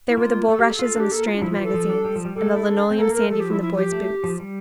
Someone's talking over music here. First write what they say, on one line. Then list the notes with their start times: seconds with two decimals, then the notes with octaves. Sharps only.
There were the bulrushes and the Strand magazines; and the linoleum sandy from the boys' boots.
0.09 E4
0.17 A#3 F4
0.48 A3 A4
0.59 A#3 G4
0.70 A4
0.79 F4
0.96 D4 G4
1.12 A#3 A4
1.26 F4
1.36 D4
1.42 F3 E4
1.52 F4
1.57 E3
1.64 A4
1.74 F3
1.89 D4
2.05 G3
2.16 F3
2.25 G3
2.36 G3 A4
2.46 A3
2.56 E4
2.67 D4
2.91 C4
2.98 A#3 A4
3.09 A#3
3.14 A#4
3.20 A3
3.30 F3 A4
3.40 G4
3.50 E4
3.61 E4
3.73 F4
3.77 G4
3.92 A3
4.24 F3
4.40 G3